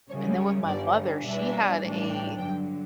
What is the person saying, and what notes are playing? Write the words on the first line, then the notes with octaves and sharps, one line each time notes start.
and then with my mother, she had a
F#2 C#3 G3 C#4 C#5
C#5
G1 G2 D3 G3 D5
E2 B2 G3 D4 E5
B1 A2 E3 G3 D4
G5
G2 D3 F#3 G5